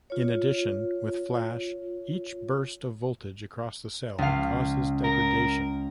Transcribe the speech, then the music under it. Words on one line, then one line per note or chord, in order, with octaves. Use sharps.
In addition, with Flash, each burst of voltage across the cell causes degradation.
F4 C#5
C#2 F5
A#4